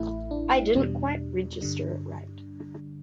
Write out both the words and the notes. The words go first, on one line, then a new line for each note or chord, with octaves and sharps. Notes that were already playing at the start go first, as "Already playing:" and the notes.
I didn't quite register it right.
Already playing: A1 A2 A3 E4
D4
E2 B2 G3
G2 D3 G3